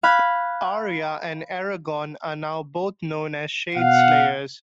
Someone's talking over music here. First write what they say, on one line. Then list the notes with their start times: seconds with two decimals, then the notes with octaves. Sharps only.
Arya and Eragon are now both known as Shadeslayers.
0.03 F5 B5 F#6 G#6
3.76 B2 F5 F#5